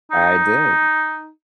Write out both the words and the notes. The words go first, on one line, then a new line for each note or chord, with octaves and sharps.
I did.
D#4